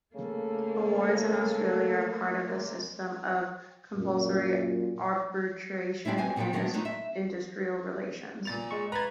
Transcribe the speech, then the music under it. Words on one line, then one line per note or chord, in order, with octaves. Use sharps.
Awards in Australia are part of the system of compulsory arbitration in industrial relations.
C#3 A3 A#3 A4
C3 G#3 A#4
F#2 A#2
G#3 C4 D4 E4 E5
B3 C4 G#5
A#2 F3 F#3 E4 G5
D#3 F#3 G#3 B3 D4
F#3 A3 D4 D#4 F4
E5
A#2 A6 F7
G#3 C#6
B4 A#5 B5 G#6 A6